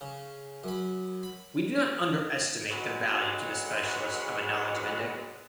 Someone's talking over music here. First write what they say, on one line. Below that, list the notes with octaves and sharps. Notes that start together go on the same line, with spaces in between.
We do not underestimate the value to the specialist of a knowledge of Indic.
C#3
F#2 B5
B5
D2 F#3 G#3 B4 F#5